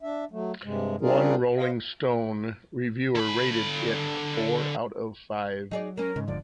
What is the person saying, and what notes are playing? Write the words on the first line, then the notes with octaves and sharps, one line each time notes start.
One "Rolling Stone" reviewer rated it four out of five.
D4 E5
F#3 A3
G2 C3 G#3
G3 C4 D4 F4 G#4 A#4
C5 D#5 F5
D3 B5
F#3 D#4 G#4 D5
A#3 C#4 A#4
G#2 C#3
E1 D3 F3 D5